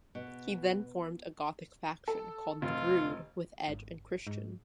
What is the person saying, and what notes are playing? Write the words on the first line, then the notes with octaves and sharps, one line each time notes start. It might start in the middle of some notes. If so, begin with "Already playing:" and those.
He then formed a gothic faction, called The Brood, with Edge and Christian.
B2
A4
F1 F4
G#1
G#2